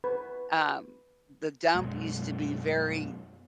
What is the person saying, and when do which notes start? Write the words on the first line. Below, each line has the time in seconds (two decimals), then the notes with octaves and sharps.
um, the dump used to be very
0.04 B4
1.75 F#2 B2 G#3